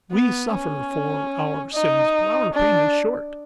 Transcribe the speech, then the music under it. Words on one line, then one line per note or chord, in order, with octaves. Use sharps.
'We suffer for our sins, but our pain is short.
B3
C#4
D#4
D4